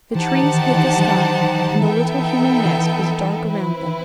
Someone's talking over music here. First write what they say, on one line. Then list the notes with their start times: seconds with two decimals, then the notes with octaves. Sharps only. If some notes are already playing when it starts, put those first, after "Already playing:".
The trees hid the sky, and the little human nest was dark around them.
0.15 E3 D#4 G4 C5 F#5 A5
0.43 D#3
0.71 E3
0.99 F#3
1.71 D#3
1.82 E3 B3 D#4 A4 E5 G5
2.65 E3
3.49 C4 E4 B4